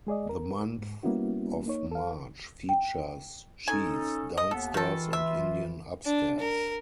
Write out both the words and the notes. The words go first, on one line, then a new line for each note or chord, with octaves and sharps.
The month of March features Cheese downstairs and Indian upstairs.
G#3 G#4 D5 D#5
A#4
G#2
G3 A#3 B3 C#4 E4 F#4
A#3 D#4 C#5
A4 F5
G5
C#4 D#4 A4 G#5
D#5
D#2 B3 A4
D#3 E3 F4 A4
E5
D4
A#4